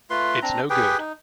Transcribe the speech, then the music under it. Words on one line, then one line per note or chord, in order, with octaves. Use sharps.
It's no good.
A3 F4 B4 C6
C4 D4 A#5
G4 G#4 B4 G5
D#4